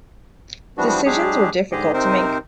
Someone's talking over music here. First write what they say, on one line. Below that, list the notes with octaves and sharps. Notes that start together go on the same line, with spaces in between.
Decisions were difficult to make.
E3 F3 G3 B3 D4 F#4
F#3 G#3 D4 G4 G#4
G#2 D3 G#3 G4 G#4 D#5
C3 C4 D#4 A#4 C5